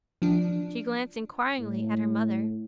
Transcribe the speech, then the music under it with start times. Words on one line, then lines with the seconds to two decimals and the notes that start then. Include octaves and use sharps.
She glanced inquiringly at her mother.
0.22 F3 D4
1.59 A2